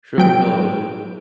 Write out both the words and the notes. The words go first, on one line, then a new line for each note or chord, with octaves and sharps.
Sure, we all do!
F#3 G5 D7